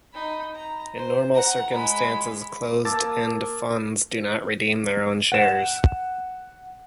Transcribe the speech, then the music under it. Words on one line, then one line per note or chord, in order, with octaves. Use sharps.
In normal circumstances, closed-end funds do not redeem their own shares.
D#4 B5
A#5
C5
F#5 A#5
G#3 B5
A#3 A5 D6 E6 A6
F#5 E7